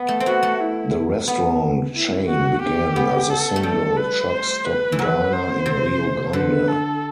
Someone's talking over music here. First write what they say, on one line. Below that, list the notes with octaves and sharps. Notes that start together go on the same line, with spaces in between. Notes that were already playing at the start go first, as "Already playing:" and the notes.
The restaurant chain began as a single truck stop diner in Rio Grande.
Already playing: B3
A3
C4
B3 F#4
A3
E4
B3
E4
F#4
G4
B3
A4
A3
G3 A4
B4
C5
B4
E3
F#3 B4
C5
C3
D3 B4
A4